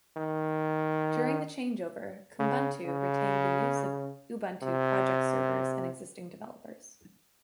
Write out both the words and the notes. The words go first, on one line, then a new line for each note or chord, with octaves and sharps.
During the changeover, Kubuntu retained the use of Ubuntu project servers and existing developers.
D#3
C#3
C#3
C3